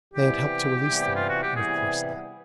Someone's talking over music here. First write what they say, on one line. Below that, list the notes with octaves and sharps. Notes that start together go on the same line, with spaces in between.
They had helped to release the rope, and of course not.
C3 E3 G3 B3 E4 G4
C3 E3 G3 B3 E4
F4
F#4
G4
C3 E3 G3 B3 E4 G#4